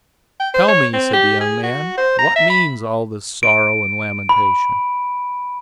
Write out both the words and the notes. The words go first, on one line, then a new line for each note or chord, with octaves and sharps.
"Tell me," said the young man, "what means all this sorrow and lamentation?"
G5
C5
C#5
C4
G4
G#4
F#4
C5
A#5
E5
B5
D7
B5